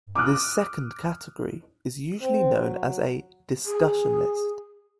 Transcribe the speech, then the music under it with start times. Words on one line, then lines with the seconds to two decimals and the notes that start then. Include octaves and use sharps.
This second category is usually known as a "discussion list".
0.15 D6 D#6 F6 F#6
2.21 C4
2.58 F#3
3.66 G#4